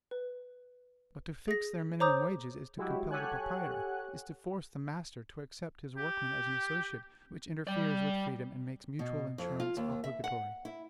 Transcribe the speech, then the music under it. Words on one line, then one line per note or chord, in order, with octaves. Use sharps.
But to fix their minimum wages is to compel the proprietor, is to force the master to accept his workman as an associate, which interferes with freedom and makes mutual insurance obligatory.
B4
G#4 A#6
C5 C#5 A#5 D6 D#6 G6
F#3 G#3 E4 F#4 G4
G4 A4 C#5 F#5 G#5 F#6
G4
G3 D5 G5
B2
F2
F4
D#2
E5
F#5
E4